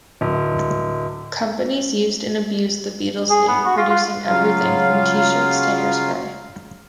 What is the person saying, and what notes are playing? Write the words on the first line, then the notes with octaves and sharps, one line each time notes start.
Companies used and abused the Beatles' name, producing everything from T-shirts to hairspray.
D1
G#4
B3
F#4
F4
F4
C#3 F#3 F4 F5